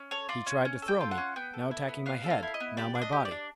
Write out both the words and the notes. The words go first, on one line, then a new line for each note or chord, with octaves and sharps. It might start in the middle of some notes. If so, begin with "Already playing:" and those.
He tried to throw me, now attacking my head, now my body.
Already playing: C#4
A4 C#5
F4 D5
C#4
C#4
A4
G5
F4
F#5
C#4
B3 G5
A4
E4
B3
B3 F5
A4
F5
E4
D#5
B3
G4 D5
D4
D#5
G4
D5
D4